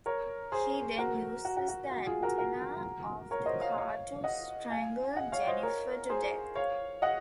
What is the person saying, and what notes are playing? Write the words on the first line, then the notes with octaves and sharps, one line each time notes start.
He then uses the antenna of the car to strangle Jennifer to death.
A#4 C#5
G#4 C5
F#4 A#4
F#4
F#4
F#4
F#4
F4 G#4
F#4 A#4
F#4 A#4
A#4 C#5
C5 D#5
C#5 F5
C#5 F5
D#5 F#5
F5 G#5
D#5 F#5
C#5 F5
C5 D#5
A#4 C#5
G#4 C5
C#5 F5
D#5 F#5